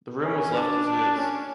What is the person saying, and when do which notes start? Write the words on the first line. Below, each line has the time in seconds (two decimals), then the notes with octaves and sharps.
The room was left as is.
0.21 C#4
0.52 D4
0.84 D4
1.15 C#4